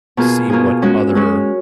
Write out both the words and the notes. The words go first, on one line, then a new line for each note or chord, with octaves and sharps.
see what other
B2 A#3 F4 G#4
B2 A#3 F4 G#4
G#3 C#4 F#4
G#3 C#4 F#4